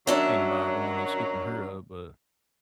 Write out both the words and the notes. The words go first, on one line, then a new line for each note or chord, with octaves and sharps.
thinking about going and scooping her up, but,
F#2 D#3 F#3 C#4 D4 E5